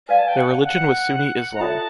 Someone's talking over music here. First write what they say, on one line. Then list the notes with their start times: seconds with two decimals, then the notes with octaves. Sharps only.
Their religion was Sunni Islam.
0.08 B4 D5 F5 G#5
0.19 A5
0.28 G5
0.37 F#5
0.65 F#5
1.54 A#5
1.60 F4 A4 C#5 E5 A5